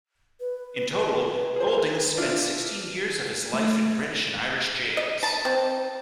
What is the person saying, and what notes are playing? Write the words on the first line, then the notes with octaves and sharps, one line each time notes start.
In total, Goulding spent sixteen years of his life in British and Irish jails.
B4
G#4 C5
D4 E4 F4
A3
D#5
A5
C4